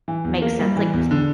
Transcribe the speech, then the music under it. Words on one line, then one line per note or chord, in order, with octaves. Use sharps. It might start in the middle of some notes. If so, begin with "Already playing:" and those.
Makes sense, like,
E3
E2
A#3
G3
E3
E2
D3